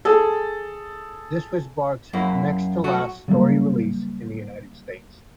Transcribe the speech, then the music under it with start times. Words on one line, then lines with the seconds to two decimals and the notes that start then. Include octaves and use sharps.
This was Barks' next-to-last story released in the United States.
0.05 G#4 A4
2.13 F#2 A#3 E4
2.84 F#3 A3 F#4
3.28 C#3 F#3 G3 A#3